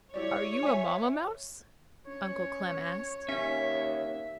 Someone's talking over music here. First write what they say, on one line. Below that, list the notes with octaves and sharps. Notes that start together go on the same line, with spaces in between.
"Are you a Mamma mouse?" Uncle Clem asked.
E4 G4 C#5 D5
E5 G#5
C#4 C#5
D#2 C#4 E5